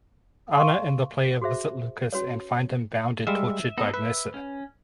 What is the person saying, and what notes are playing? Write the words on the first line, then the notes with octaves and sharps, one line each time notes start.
Ana and the player visit Lucas and find him bound and tortured by Mercer.
F5 C6 C#6
F#4 G#4 C5 E5
C#4 F#4 B4 C#5
G3 G#3 E5 F5
B3 D#4 A4
B4 E5
C#4